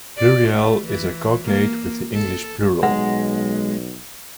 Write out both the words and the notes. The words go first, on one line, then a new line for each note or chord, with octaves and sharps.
Pluriel is a cognate with the English "plural".
D5
A3
E3
A#3
A4
B1 G#3 F#5